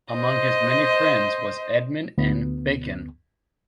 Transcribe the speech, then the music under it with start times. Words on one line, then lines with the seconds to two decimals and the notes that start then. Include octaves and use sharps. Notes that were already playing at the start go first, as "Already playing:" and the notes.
Among his many friends was Edmund N. Bacon.
0.10 C5 D#5
2.18 D2 B3